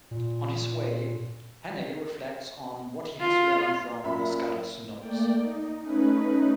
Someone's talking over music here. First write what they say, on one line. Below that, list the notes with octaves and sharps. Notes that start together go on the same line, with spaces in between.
On his way, Hannay reflects on what he has learnt from Scudder's notes.
A#2
F4
F#2 A#2 E5 B5
A3 A#3 D5 G5
D#4
A3 C#4 D#4 B4